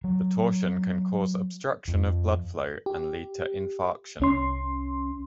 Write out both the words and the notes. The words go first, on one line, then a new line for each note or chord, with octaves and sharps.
The torsion can cause obstruction of blood flow and lead to infarction.
F#3
F2
G4
C2 C#4 C6